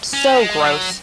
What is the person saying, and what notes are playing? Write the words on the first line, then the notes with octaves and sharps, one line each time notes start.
So gross.
C#4
G#3
F#3